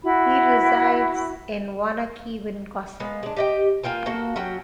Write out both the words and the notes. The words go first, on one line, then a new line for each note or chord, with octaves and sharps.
He resides in Waunakee, Wisconsin.
E4 F#4 B5
G#3 A#3 B3
G#3 D4
G4 D#5 G5
A#3 F4 G5 G#5
A#3 F#4 A4
F#3 C#4 F#4 G5